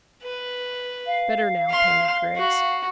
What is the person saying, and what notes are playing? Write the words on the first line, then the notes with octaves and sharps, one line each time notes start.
"Better now," panted Griggs.
B4
F5
C6 F6
F#4